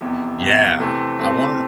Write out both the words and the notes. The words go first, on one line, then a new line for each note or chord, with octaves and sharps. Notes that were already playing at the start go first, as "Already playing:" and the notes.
Yeah! I wanna
F1 E2 C3
F1 E2 C3
C3 E3 A3 C4
C3 E3 A3 C4